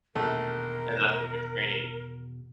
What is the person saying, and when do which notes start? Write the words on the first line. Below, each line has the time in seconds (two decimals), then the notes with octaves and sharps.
and that's what you're training.
0.15 A#1 E2 B2 D#3 A3 A4 A#4